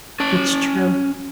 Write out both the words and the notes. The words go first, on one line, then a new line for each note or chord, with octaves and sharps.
It's true.
C#4 A5